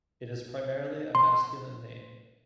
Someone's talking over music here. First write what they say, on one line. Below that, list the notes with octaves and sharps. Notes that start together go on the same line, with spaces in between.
It is primarily a masculine name.
C6